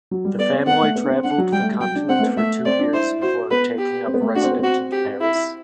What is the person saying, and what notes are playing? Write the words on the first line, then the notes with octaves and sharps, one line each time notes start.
The family traveled the continent for two years before taking up resident in Paris.
F#3
G3
B3 D5
C4
B3 F#5
A3
B3
D4
C4
D4 F#5
F#3
G3 G5
A3
G3
F#3 G5
D4
C4 F#5
A3
B3
A3 E5
C4 D5
D4
E4 C5
F#4 C5
B3 B4
G4
C4
B3
A3
D4 F#4
C4
B3
C4 F#4
G4
E4